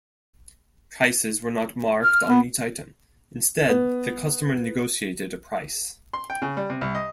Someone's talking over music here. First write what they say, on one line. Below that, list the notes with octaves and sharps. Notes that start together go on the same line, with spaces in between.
Prices were not marked on each item; instead the customer negotiated a price.
F6
B3
B3
C6
G5
C#3
G3
C3
C2
D#5